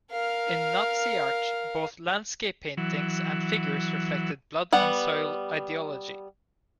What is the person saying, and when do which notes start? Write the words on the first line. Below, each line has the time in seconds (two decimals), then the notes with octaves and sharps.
In Nazi art, both landscape paintings and figures reflected "blood-and-soil" ideology.
0.12 A#4 F5
2.77 E3 F#3
4.73 G3 B3 F#5